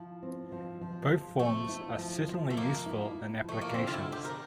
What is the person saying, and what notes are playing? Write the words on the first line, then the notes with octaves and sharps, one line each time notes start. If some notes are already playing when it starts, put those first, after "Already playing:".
Both forms are certainly useful in applications.
Already playing: F3 E4
C4
F3
F3
F3
A3 C4
E4
F3
F3
A3
F3 A#3
E4
E4
F3 A3
A#3
D3 C4
F4
E4
D3
G4
A#4